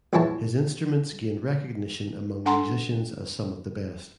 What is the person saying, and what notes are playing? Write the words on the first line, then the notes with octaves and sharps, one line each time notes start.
His instruments gained recognition among musicians as some of the best.
A#1 E2 E3 E4 C#5 A5
D4 A4 F#5 G#5 A#5 C6